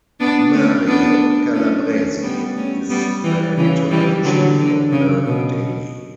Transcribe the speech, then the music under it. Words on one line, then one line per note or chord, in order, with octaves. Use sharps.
Mario Calabresi is the editor-in-chief of the daily.
B3 D4
A3 C#4
B3 D4
A3 C#4
A3 C#4
G3 B3
A3 C#4
G3 B3
E3 G3
C#3 E3
E3 G3
D3 F#3
D3
C#3
B2
B2